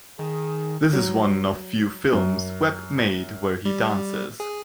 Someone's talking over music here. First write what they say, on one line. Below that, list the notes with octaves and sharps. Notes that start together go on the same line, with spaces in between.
This is one of few films Webb made where he dances.
D#3 G#4
F#3
F#2
G3
G#4